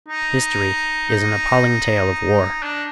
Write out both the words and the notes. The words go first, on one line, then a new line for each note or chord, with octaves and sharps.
History is an appalling tale of war.
D#4
D#4
D4